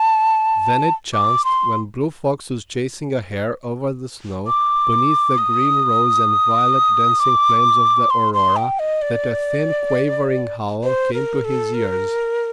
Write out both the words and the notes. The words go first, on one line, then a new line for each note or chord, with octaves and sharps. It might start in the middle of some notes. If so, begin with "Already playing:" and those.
Then it chanced, when Blue Fox was chasing a hare over the snow, beneath the green, rose, and violet dancing flames of the aurora, that a thin, quavering howl came to his ears.
Already playing: A5
D6
C6
D6
D#6
D6
C6
C6
G5
D#5
D5
C5
A#4
A4
A#4